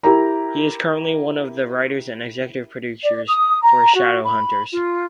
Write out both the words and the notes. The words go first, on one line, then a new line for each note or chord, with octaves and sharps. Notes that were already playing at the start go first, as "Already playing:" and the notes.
He is currently one of the writers and executive producers for Shadowhunters.
E4 G4 A#4 A#5
D5
D#6
A#5
F#4
B5
F4